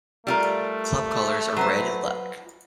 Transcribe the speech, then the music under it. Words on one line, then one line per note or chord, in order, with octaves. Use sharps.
Club colours are red and black.
G3 A3 F4 A#4
F#3 B4 C5